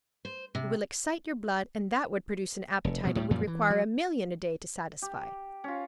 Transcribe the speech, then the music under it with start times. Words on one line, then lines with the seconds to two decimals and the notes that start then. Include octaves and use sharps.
You will excite your blood, and that would produce an appetite it would require a million a day to satisfy.
0.25 C5
0.55 C3
2.85 F1
3.04 B2 F3 G3
3.15 D2 A2 G3
3.31 F#2 A#2 F3 G3
3.47 E3
3.70 F#3
5.02 G4
5.64 C#4 F4